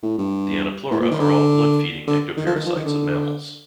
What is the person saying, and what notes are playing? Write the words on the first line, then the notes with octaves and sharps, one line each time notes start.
The Anoplura are all blood-feeding ectoparasites of mammals.
A2
G2
A2
A#2
D#3
D3
D3
D#3
F3
D#3
F3
D#3
D3